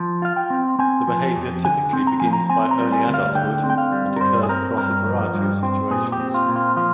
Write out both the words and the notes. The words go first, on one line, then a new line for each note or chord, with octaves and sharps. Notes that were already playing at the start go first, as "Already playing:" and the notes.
The behavior typically begins by early adulthood, and occurs across a variety of situations.
Already playing: F3
F4 F5
G5
C4
C4 G#5
F3
F2
D3 G#5
C4
A#5
F3 G#5
A#5
C4 G#5
A#5
G3
G#5
D2
F5
D3 G5
C4
G5
F5
G3
A#4
G2 C5
G#4
C4 A#4
G2 A#4
F3
G2
C4
A#2 G#4
G4
C4
F4
A#2
F4
F3 F4